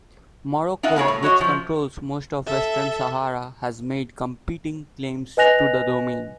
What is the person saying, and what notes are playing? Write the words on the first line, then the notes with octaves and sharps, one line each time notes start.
Morocco, which controls most of Western Sahara, has made competing claims to the domain.
D#4 F4 E5 F#5
B3 G#4 A#4 C#5
A2
F#3 F#4 C#5 D#5
F#2 F3
A4 E5
B4 D#5 G#5 F#6 A#6 F7